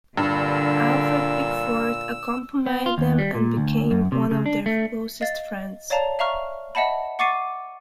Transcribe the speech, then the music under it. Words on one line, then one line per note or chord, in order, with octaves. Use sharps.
Alfred Pickford accompanied them and became one of their closest friends.
G2 A#2 D3 E6
B3
F4
D#2
G3
A#2
D2
F#2
C3
C#3
D4
A3
D#5 F5 A6
C#5 D5 F5 A5 A#5
E5 F5 A#5 C#6 F6
D#5 E5 F#5 A5 B5
F#5 C#6 D6 A6 C7 D#7